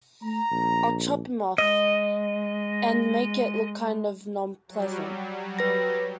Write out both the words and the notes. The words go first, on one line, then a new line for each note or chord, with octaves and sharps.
I'll chop him off, and make it look kind of non-pleasant.
A3 A#5
A#1
G#3 D#5
F#3 G3
B4 A#6